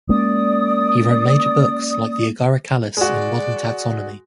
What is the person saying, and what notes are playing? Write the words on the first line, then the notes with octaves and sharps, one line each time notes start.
He wrote major books like "The Agaricales in Modern Taxonomy".
G#3 A#3 C#4 D5 D#6
G#3 F#4 D5